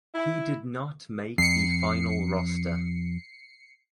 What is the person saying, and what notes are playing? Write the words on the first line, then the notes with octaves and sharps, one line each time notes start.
He did not make the final roster.
E4
F2 C7 C#7